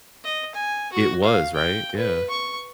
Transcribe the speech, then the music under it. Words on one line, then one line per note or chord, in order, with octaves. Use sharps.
It was, right? Yeah.
D#5
G#5
F#4
F5
G5
B4
C#6